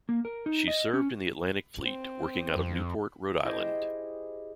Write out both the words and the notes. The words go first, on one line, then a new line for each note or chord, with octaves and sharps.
She served in the Atlantic Fleet working out of Newport, Rhode Island.
A#3
A#4
D#4
D#5
C#4
C4
F2
E4 G4 G#4 C5 D#5